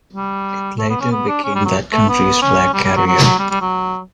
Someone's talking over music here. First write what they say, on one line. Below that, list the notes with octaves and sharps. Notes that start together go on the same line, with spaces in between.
It later became that country's flag carrier.
G3
A3
B3
C#4
B3
D4
C#4
G3
F#3
A3
B3
C#4
G3
G3
F#3
F#3
F#3
G3
G3
F#3